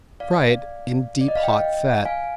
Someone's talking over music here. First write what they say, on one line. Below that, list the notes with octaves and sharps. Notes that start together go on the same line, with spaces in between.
Fry in deep hot fat.
D5 F5
D5
D#5
F5
D#5 G5
F5 G#5